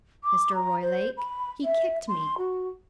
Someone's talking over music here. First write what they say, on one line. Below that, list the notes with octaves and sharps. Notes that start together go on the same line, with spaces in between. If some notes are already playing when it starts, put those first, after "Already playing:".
Mr. Roylake, he kicked me.
D6
A#5
C5
B5
E5
C6
F#4